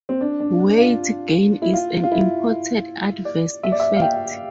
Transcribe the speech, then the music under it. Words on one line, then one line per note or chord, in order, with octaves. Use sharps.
Weight gain is an important adverse effect.
C4
D4
D4
D4
F4
E4
F4
F4
E4
D5
E5
D5
E5
F5
G5